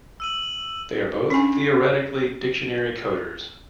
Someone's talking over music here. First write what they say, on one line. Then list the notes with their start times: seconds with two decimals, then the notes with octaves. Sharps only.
They are both theoretically dictionary coders.
0.20 E6 D#7 F#7
1.30 C#4 D4 G#5